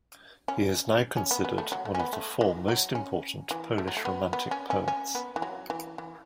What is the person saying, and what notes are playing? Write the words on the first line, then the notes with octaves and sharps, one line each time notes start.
He is now considered one of the four most important Polish Romantic poets.
C#4
C#4
B3
B3
A3
F#3
A3
C#4
B3
A3
E3
F#3
C#4
E3
A3
F#3
A3
B3
B3
C#4
C#4
C#4
B3
E3
F#3
E3
E3